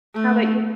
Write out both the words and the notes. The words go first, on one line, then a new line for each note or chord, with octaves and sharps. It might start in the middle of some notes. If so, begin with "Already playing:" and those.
How about you?
A3